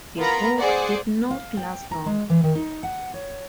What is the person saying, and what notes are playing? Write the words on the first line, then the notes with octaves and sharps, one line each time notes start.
This work did not last long.
B3 F4 A#4 A#5 B5
G#4 C5 D5 F#5
F5
G5
A#5
G#3
E3
D#3
D#4
F#5
C#5